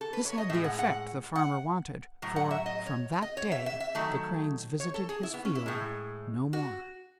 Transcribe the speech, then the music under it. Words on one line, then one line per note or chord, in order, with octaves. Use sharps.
This had the effect the Farmer wanted, for from that day the Cranes visited his field no more.
A4
B4
C#5
D#5
A2 G#3 E5
F#5
F#5
F#5
A2 F#3
F#5
E5
D#5
C#5
D#5
C#5
E5
E5
E5
D#3 F#3 A3
C#5
A4
G#4
E4
B3
C#4
E4
A2 G#3
F#4